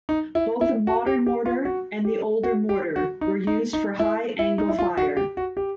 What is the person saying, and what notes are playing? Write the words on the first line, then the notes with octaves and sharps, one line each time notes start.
Both the modern mortar and the older mortar were used for high angle fire.
D#4
E4
E4
F#4
G4
G4
F4
F#4
G4
F#4
G4
F#4
D#4
D#4
D#4
E4
E4
D#4
E4
F4
F#4
G4
F#4
G4